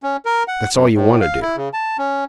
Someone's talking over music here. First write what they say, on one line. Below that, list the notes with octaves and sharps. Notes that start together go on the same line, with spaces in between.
"That's all you want to do."
C#4
A#4
F#5
F#2
A2
F5
E4
C#3
A5
C#4